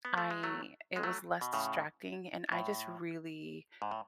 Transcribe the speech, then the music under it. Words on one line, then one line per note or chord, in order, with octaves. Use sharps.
I it was less distracting, and I just really
B3
A3
G#3
F#3 A3
G#3
F#3 A3
B2
A2 C#3
A2
G#2
A2